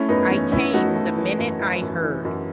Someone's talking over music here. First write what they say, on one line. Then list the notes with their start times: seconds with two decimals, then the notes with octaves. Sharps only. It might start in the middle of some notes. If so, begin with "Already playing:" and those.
I came the minute I heard.
Already playing: A3 C#4 E4
0.09 F#2 B3 D#4
0.30 E3 C#4
0.52 E3 C#4 E4
0.74 A3 D#4 F#4
0.95 A3
1.17 E3
1.38 F#2
1.60 E3
1.81 F#2
2.03 E3
2.25 F#2